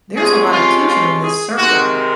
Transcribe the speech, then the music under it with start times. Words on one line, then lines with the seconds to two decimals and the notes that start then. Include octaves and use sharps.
There's a lot of tension in this circle.
0.17 C3 F3 G#3 C#4 G#4
0.52 F4
0.86 F4
1.22 G#4
1.57 C3 D#3 G#3 C4 D#4 F#4